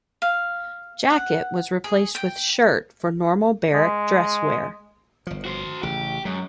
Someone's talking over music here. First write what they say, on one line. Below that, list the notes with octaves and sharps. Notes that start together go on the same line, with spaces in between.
Jacket was replaced with shirt for normal barrack dress wear.
F5
F#5
G#4
G5
G#3
G1 F3
F#4 C5
A1 C#3 G4
F#2 F#3 G#3